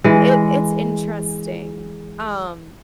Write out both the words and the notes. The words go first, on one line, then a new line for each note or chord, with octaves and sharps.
it it's interesting. Um
E3 G#3